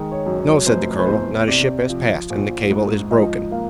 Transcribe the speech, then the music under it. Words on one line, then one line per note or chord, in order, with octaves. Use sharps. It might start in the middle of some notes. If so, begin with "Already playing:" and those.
"No," said the colonel; "not a ship has passed; and the cable is broken."
Already playing: D#3 G#3
C#5
F#2
C#5
F1 C5
B4
E2 C5
C3 D5
F3
A#1
G#2
F3 D#5
A#3 F5